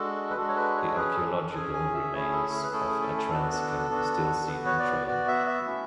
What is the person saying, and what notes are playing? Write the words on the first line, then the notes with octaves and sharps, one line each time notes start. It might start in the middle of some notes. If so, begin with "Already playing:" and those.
The archaeological remains of Atrans can be still seen in Trojane.
Already playing: G#3 D4 F#4 A4
B4
G#3 D4 F#4 A4
C#5
B4
C#5
A4
C#4 G#4 B4
A4
G#4
A4
C#4 G#4 G#5
G#5
E5
A3 C#4 E4 G#4 C#5
A4
G#4
B4
A3 C#4 E4 G#4 A4
G#4
A4
A4
B3 D4 F#4 A4
B3 D4 F#4
B3 F#4 B4
C#5
D5
B3 F#4 D5
E5
E5
A3 C#4 E4